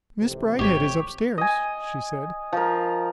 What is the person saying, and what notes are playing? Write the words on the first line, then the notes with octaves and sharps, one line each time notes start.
"Miss Bridehead is up-stairs," she said.
A1 F2 C3
G#1 G4 C#5 C#6 B6
D#5 G#5
F3 A#4